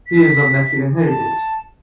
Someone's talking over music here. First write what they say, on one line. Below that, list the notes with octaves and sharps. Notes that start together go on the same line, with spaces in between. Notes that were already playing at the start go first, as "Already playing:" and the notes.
He is of Mexican heritage.
B6
A5